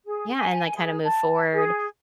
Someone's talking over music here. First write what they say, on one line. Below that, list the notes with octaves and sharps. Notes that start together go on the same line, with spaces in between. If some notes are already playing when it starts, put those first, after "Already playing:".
Yeah, and, like, kinda move forward.
G#4
G#5
G#4
A5
G#4